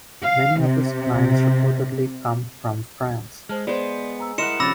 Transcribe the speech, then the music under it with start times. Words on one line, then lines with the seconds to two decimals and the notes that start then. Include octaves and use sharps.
Many of its clients reportedly come from France.
0.23 F5
0.60 C3
3.49 G#3 C5 A5 F6
3.67 G#3 B3 C5 D5
4.19 G#5 A#5 E6
4.38 E4 A#4 D#5 F#5 C6 C#7 E7
4.60 C3 F3 C#4 B5 D6 E6 A6 A#6